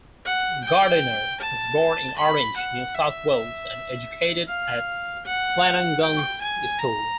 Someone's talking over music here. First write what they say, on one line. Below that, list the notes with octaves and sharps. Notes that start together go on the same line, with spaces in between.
Gardiner was born in Orange, New South Wales and educated at Flanagan's School.
F#5
G5
A5
B5
F#5
E5
F5
F#5
G5
G#5
A#5